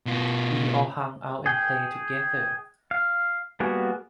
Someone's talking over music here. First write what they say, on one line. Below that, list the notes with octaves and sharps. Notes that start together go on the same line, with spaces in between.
We all hung out and played together.
B2 F4
G#4 G5
F5
G3 A#3 B3 F#4 G#4